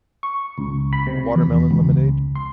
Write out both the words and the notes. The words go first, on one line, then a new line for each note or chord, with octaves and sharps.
a watermelon lemonade.
C#6
C#2
B5
C3
E2
C#2
C6